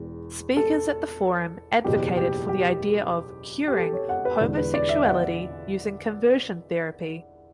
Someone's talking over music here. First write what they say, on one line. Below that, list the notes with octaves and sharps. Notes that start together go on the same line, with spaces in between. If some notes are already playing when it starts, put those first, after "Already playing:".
Speakers at the forum advocated for the idea of "curing" homosexuality using conversion therapy.
Already playing: E1 E2
A4
F#1 E2 B2 G4
G4
G4
G4
A4
C#5
F#5
B4
E1 E2 D3
B4
D5
E5
F#5